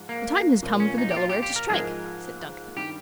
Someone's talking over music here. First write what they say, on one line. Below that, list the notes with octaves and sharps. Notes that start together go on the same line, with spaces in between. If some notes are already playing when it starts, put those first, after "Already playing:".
"The time has come for the Delaware to strike!" said Duncan.
Already playing: G#2 F3 G#3
A#3
A#2 F3 A#3
C#4
D#4
G4
F4
G4
G4
A#4
G#2 F3 G#3 D#4 G#4 A#4
G2 D#3 G3 G4